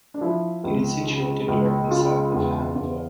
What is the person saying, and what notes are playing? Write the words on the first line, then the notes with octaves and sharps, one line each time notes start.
It is situated directly south of Hanover.
D4
F3 E4
C#2
C#3
C#2
C#3 F4
E2
E2